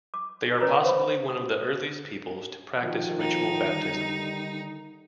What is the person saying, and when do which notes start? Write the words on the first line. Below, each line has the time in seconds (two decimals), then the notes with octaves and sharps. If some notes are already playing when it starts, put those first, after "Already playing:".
They are possibly one of the earliest peoples to practice ritual baptism.
0.14 D6
0.61 C#4 A#4 B4 C#5 A#5
0.85 C5 B5
1.29 D#6
2.82 D#3 F3
3.20 D#4
3.71 D3 D#3 G3